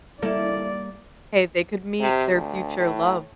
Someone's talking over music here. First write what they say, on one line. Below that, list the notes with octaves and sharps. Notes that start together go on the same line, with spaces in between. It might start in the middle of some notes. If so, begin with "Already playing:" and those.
Hey, they could meet their future love
G3 A#3 E4 A4 D5
C3
D2
A2